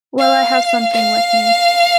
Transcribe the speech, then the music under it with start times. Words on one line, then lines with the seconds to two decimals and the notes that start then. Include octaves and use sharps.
Well I have something with me.
0.18 F5
0.92 F5